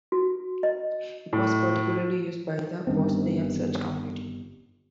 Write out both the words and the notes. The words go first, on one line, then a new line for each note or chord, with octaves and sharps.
It was particularly used by the Bosnian Church community.
F#4
D#5
A2
G1 G2 D#3 C4